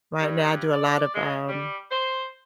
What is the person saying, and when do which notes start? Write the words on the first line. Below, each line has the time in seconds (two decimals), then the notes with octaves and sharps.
right now I do a lot of, um,
0.20 G2
0.73 D5
1.13 G#3
1.48 G3
1.91 C5